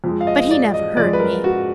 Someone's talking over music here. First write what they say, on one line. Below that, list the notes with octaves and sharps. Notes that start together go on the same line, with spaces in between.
But he never heard me.
F2 F3 G#3
F5
D#5
D5
D#5
F2 F3 G#3 D5
B4
A#4
F#4